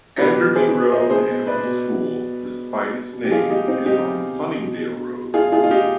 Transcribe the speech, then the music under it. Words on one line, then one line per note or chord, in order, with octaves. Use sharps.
Enderby Road Infants School, despite its name, is on Sunningdale Road.
B2 G4 B4
G#4 C5
C5 D#5
G#4 C5
B4 D5
B2
B2
G4
F4 G#4
D#4 G4
C4 D#4
D#4 G4
B2
F4 G#4
F4 G#4
F4
D#4 G4